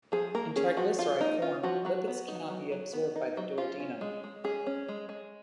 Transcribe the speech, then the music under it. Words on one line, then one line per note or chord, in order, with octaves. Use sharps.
In triglyceride form, lipids cannot be absorbed by the duodenum.
F3 G#4
A#3 A#4
C#4 G#4
F3 F#4
F3 F4
A#3 D#4
C#4 F4
F3 F#4
F#3 F#4
B3
D#4
F#3
F#3
B3
D#4
F#3
C#4 F4
C#4
G#3
G#3
C#4 G#4
C#4
G#3
G#3